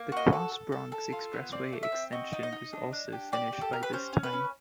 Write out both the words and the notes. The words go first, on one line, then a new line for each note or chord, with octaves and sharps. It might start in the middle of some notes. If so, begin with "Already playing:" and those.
The Cross Bronx Expressway Extension was also finished by this time.
Already playing: A#3
F#4 D#5
A4
A4
A4
A4
F4
B3
C4 D5
A3
E5
C4
F#4 D#5
D#4
D#5
D#4
D4
D4
G4
G4 D5
G4
A4
G4 A#4
B4
C#4 C5
C#4
B4
C#4